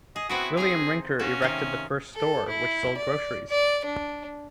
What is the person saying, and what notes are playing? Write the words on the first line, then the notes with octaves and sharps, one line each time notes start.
William Rinker erected the first store, which sold groceries.
G#4 D#5
B3 C4 E4 F#4
C4 D#4 G#4 A#5
A#3 C#4 F#4
C3 D#3
A4
E4
D5
D5
D4